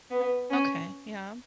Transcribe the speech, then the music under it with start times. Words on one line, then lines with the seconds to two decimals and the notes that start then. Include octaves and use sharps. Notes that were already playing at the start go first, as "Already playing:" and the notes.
Okay, yeah.
0.11 B3
0.50 C#4